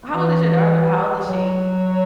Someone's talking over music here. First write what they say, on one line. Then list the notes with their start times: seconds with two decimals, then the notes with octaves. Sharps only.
How old is your daughter? How old is she?
0.13 E3
1.28 F#3